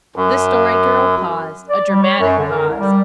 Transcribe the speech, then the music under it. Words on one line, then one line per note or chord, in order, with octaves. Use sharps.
The Story Girl paused--a dramatic pause.
F#2
D5
G3
C#5
F#2
D3
A#4
C2
G3